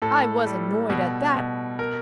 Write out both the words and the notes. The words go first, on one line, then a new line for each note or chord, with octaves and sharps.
I was annoyed at that.
A2 A4
G3
B2
B2
A#4